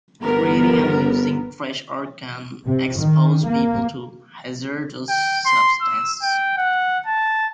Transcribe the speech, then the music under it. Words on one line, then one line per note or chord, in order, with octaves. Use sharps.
Creating and using trash art can expose people to hazardous substances.
G1 B3 A#4
C3
D#3
A#3
G5
C6
E6
G5
F#5
A5